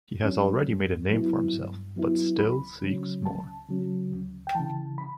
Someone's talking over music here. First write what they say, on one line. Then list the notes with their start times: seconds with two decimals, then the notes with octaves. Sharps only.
He has already made a name for himself but still seeks more.
0.24 F#3 C#4
0.66 G2
1.09 F#3 B3 E4
1.53 G2
1.96 F#3 B3 E4
2.39 C#2 B5
2.83 C#3 F#3 C#4
3.25 C#2 A5
3.69 C#3 F#3 C#4
4.12 D2
4.47 G5
4.55 C#3 E3 A5
4.98 B5